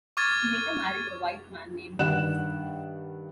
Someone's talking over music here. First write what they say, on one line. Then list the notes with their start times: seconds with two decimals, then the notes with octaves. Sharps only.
She later married a white man named Dorris.
0.17 C#6 D6 F6 G#6 A6
1.99 G2 D#3 D5 F#5 F#6 E7